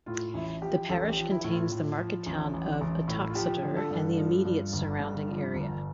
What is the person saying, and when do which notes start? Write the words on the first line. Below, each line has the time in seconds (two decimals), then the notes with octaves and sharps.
The parish contains the market town of Uttoxeter and the immediate surrounding area.
0.06 A2 F4
0.34 A1 E4
0.62 F3 G4
0.89 A1 A4
1.09 G4
1.16 F3
1.31 E4
1.44 A2
1.51 F4
1.72 A2
1.99 F3
2.26 A1
2.54 A1
2.81 A1
3.08 A2
3.30 F4
3.35 F3 G4
3.63 D3
3.76 A4
3.91 G2
4.17 F3
4.45 G2
4.73 G1
5.00 G2
5.27 F3
5.55 G1